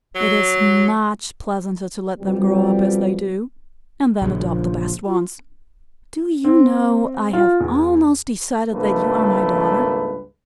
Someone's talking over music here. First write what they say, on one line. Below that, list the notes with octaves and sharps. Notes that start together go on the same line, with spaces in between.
It is much pleasanter to let them grow up as they do and then adopt the best ones. Do you know, I have almost decided that you are my daughter?
F#3
F2 B2 G3
A#1 C#3 G#4
F3
F4
C4
F4
E2
G#1 C#2 G2 A3 A#3 B4